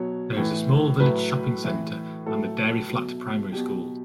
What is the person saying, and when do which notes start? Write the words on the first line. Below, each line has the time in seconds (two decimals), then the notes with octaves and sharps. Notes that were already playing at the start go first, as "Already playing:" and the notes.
There is a small village shopping centre and the Dairy Flat Primary School.
Already playing: B2 F#3 C#5
0.37 A2 E3
1.00 A2 F#3 B4
1.64 A2 E3
2.26 A2 F#3 A4
2.89 B2 F#3
3.53 B2 F#3 G4